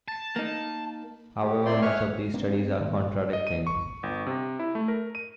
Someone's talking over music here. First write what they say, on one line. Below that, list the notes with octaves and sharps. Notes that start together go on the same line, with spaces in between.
However, much of these studies are contradicting.
A5
A#3 D#4
G4
C4 E4 D5 G5 C6
E4 B4 C#5 G#5 C#6 F6
A#3 C4 D4
C4
A2 D#3 G3 B3
D#5
D#7
C#6
G1
C3
E4
A3
A#4
D#7